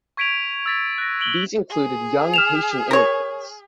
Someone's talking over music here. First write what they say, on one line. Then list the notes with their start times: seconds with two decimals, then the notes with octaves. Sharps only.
These included young Haitian immigrants.
0.17 C#6 G#6 B6 D7 D#7 F7
0.66 E6 A6 B6
0.98 F#6 A#6
1.20 D7 F#7 G7
1.69 G#4
2.34 F6 E7 F7
2.91 A#4 C#5